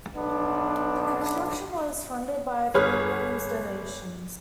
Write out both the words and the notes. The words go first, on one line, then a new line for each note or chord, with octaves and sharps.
The construction was funded by pilgrims' donations.
B1 B3 D4
G1 G#4 B4 C#5 F6